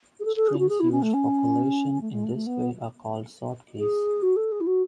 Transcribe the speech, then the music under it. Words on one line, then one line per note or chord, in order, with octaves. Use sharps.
Strings used for collation in this way are called "sort keys".
G#4
A4
A4
G#4
E4
F#4
G#4
E4
C#4
A3
C#4
A3
G#3
A3
A3
B3
G#4
F#4
A4
G#4
E4
F#4